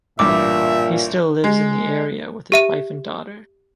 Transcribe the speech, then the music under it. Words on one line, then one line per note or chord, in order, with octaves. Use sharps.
He still lives in the area with his wife and daughter.
A1 G2 A#2 E5 D6
G#3
G4 E5 D#7